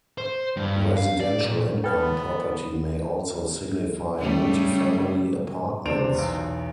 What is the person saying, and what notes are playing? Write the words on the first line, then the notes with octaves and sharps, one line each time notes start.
Residential income property may also signify multifamily apartments.
C5
G2
F5
D5
A#2
B3 A4 B4 G5
C#3 G3 A3
E2 C3 D4 C5 D7 F7
B1 E2